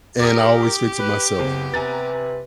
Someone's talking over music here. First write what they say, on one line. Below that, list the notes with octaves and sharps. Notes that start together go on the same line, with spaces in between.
and I always fix it myself.
G4 A#4 D6 D#6
B4
F#1 B3 C4
C3 B4 G#5 A#5 A6